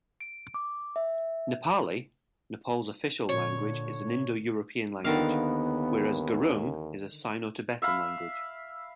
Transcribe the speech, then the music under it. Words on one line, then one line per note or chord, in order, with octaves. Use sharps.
Nepali, Nepal's official language, is an Indo-European language, whereas Gurung is a Sino-Tibetan language.
D7
D6
E5
A#2 D3 C#5
D#2 D3 D#3 B3 F5
E5 F5 B5